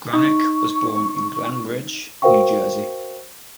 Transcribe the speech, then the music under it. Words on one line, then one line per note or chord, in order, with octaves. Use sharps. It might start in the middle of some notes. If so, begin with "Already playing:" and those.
Granick was born in Glen Ridge, New Jersey.
D#4 C#6
F#4 A#4 C5 F5 G5 C#6